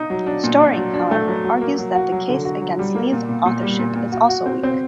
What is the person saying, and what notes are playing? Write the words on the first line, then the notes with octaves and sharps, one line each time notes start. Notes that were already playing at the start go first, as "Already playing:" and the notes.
Storing, however, argues that the case "against" Lee's authorship is also weak.
Already playing: D#4
F#3
D4
A#2
D4
F#3
D4
A3
F#3
F#3
A#3
F#3
F#4
F#3
D3
F#4
F#3
G3
A#3
A#2
A#2
A#2
G3
A#2
A#2
F#4
F#4
C4
C4